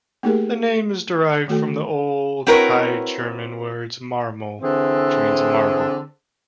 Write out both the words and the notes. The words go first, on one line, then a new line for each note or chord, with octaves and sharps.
The name is derived from the Old High German word 'marmul', which means 'marble'.
A3 A#3 D#4 G4 G#4 A#4
D#3 A3 F#4 A4 G5
C4 E4 F#4 A#4 B4 C#5
D3 E3 C4 G#4